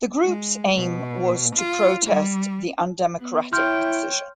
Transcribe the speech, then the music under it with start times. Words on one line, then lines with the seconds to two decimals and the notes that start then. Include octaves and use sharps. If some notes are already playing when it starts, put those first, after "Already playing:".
The group's aim was to protest the undemocratic decision.
0.24 G#3
0.76 B2
1.55 F4
2.06 G3
3.19 B3
3.53 E4 C#5 G5 C6 F6 G6